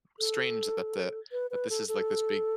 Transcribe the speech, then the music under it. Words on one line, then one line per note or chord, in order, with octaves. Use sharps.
strange that the that this is, like, this big,
A4
B4
B4
A4
A4